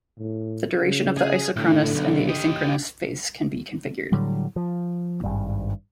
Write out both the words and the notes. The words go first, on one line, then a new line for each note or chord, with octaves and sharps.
The duration of the isochronous and the asynchronous phase can be configured.
A2
C#3
G#4
A2 D3
B1
G4 D#5
A2 D3 F#3 G3
F3
G#1 G2